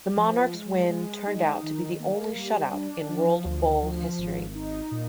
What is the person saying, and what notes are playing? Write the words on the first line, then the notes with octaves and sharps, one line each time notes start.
The Monarchs' win turned out to be the only shutout in World Bowl history.
F3
G#3
G#3
D#4
D#3
A#3
G3
D4
F3
D2
F3
G#1
D#4
A#2